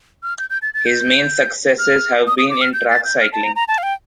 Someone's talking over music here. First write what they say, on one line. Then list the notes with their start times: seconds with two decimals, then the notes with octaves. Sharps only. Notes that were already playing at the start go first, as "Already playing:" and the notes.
His main successes have been in track cycling.
0.23 F6
0.38 G6
0.50 G6
0.62 A6
0.74 A6
0.86 G6
1.79 F6
2.27 D#6
2.38 D#6
2.50 D6
2.61 F6
2.73 G6
2.89 A6
3.05 G6
3.21 F6
3.33 A5
3.44 A#5
3.56 A#5
3.68 A5
3.78 F5
3.83 G5